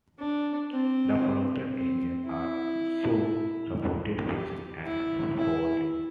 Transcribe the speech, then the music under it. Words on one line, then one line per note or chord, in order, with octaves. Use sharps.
The flooded areas also supported fishing and fowling.
D4
C4
C4
E4
G4
E4
E4